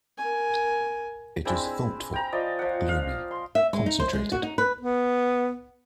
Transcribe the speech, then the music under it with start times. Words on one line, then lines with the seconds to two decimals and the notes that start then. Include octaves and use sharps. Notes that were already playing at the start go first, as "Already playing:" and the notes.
It is thoughtful, gloomy, concentrated.
0.18 A#4 G#5
1.45 G#3 C4 D4 E4
2.13 G5 A#5
2.32 F3 D5 D#5
2.59 F3 F#5
2.89 F5
3.31 C6
3.55 E5
3.73 G#3
3.86 D#4
4.00 C5
4.13 G#3
4.32 F#4
4.43 D#4
4.58 B4
4.81 B3